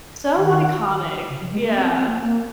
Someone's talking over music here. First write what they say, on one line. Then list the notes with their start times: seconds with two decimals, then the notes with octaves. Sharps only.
So iconic. Yeah.
0.37 D#3
1.29 C#3
1.41 F#3
1.52 G#3
1.65 A#3
1.77 C4
1.91 C4
2.07 A#3
2.22 A#3